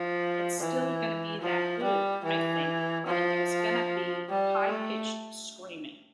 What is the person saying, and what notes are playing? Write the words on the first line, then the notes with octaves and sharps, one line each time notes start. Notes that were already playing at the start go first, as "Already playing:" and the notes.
It's still gonna be that good, I think, and there's gonna be high-pitched screaming.
Already playing: F3
E3
F3
G3
E3
F3
G3
A3